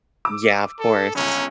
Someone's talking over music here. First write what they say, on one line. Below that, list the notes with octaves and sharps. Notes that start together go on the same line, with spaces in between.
Yeah. Of course.
D6 E6
A4
G1 C#2 C#4